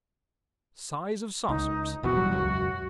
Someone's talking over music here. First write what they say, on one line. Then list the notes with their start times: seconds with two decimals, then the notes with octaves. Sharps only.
Size of saucers.
1.49 C#2 D#4
2.03 F#1 B2 E3 F#4
2.17 D1 F#3 G3
2.32 E1 C#2 F#2